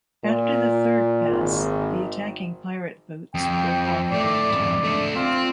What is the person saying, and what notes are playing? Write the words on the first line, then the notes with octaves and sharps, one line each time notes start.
After the third pass, the attacking pirate boats broke off their attack.
A#2
G#1
F2 G5
A2 A3 D5
F2 G#2
A3 D4
C4 F4